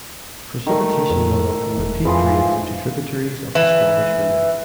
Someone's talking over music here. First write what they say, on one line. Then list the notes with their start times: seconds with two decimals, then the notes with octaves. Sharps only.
Precipitation runoff from the peak drains into tributaries of the Squamish River.
0.66 D#3 A3
1.11 F2
1.77 E1
2.05 F2 E3 F3 G#4
3.55 E3